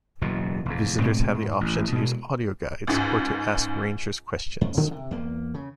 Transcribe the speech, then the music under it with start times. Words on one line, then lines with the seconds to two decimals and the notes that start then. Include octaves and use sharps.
Visitors have the option to use audio guides or to ask Rangers questions.
0.21 F#1 E2 B2
0.65 F1 E2
1.00 D2 G#2 B2 C4
1.34 G#2
1.61 A1
1.92 B2 G#3
2.87 C#2 G#2
4.61 F2
4.77 C#3 F3 F#3 C4
4.91 C3
5.11 E2 A#3
5.54 C#3